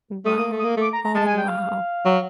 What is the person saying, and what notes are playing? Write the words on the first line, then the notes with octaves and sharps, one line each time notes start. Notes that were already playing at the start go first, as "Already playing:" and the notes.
Wow. Oh wow.
A3 D#6
A#3 D#6
A3
D#6
A#3
A3 D6
A#5
A#5
G#3 A5
G#5
G5
F5
F#3